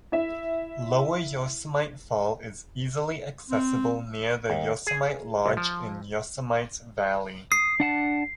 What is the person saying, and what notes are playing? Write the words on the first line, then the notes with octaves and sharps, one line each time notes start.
Lower Yosemite Fall is easily accessible near the Yosemite Lodge in Yosemite Valley.
E4 E5
C4
D#2
G#4
C2
F3
D#6 C7
D4 F#5 A5